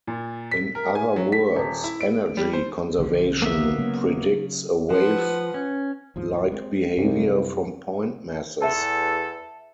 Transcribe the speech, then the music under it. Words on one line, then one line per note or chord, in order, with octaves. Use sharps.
In other words, energy conservation predicts a wave-like behavior from point-masses.
A#2
B6
A#4
G#5
F#3
B6
D#1
E4
D7
G3
C5
B1 D3 F3
A#3 B3 E5
C#3 F#3
F3 B4 F#5
C#4
D#2 G#2 F3
G#3 A#3 C4
C2 F#2 C4
E2 A4 E5 A5